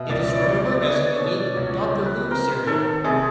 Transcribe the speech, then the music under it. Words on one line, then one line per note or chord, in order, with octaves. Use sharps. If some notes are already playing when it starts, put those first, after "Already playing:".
It is remembered as a unique "Doctor Who" serial.
Already playing: B2 E5
C#2 D5
D5
G3 C#5 D5
D5
B3 D#5
C#5
D5
B2 C#5
D5
C#2 C#5
C5
G3
B4
C4 A#4
D#3 A4
C3 G#4